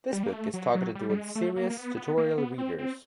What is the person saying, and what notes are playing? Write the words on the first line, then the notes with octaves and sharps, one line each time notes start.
This book is targeted towards serious, tutorial readers.
G3
A#3
A3
F#3
F#3
G3
G3
G#3
A3
A#3
A#3
B3
B3
A#3
B3
C4
C4